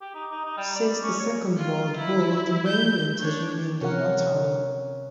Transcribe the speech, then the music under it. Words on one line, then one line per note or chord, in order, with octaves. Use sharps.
Since the Second World War, the regiment has remained in Ottawa.
G4
D#4
D#4
D#4
G3
D5
C#4
C#5
F4
E4
G6
D4 C#5
C3 C#4 A#4 F#5